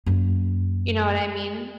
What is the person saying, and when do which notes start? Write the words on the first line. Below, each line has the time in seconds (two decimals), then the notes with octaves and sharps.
you know what? I mean,
0.06 F#2 A#3